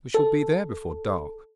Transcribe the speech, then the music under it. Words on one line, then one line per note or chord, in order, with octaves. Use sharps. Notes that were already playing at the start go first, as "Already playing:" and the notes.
'We shall be there before dark.'
A4